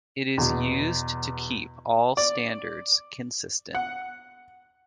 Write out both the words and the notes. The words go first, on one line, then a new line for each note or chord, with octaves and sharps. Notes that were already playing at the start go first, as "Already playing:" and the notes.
It is used to keep all standards consistent.
E2 B2
D5
F#5